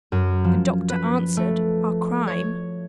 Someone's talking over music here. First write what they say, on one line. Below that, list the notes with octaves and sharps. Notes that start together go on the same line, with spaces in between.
The doctor answered, "Our Crime."
F#2
F3
B4
A3
C#5